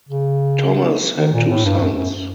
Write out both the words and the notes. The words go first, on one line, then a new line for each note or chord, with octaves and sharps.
Thomas had two sons.
C#3
D#3
A#2
A2
G2
F#2
F#2